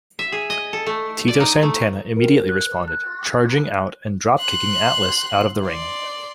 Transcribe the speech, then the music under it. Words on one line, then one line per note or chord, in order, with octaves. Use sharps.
Tito Santana immediately responded, charging out and dropkicking Atlas out of the ring.
E5
G#4
D#5
A4
A3
D5
D#4
A3
A#4
F#6
F#6
C6 F#6
D5 C6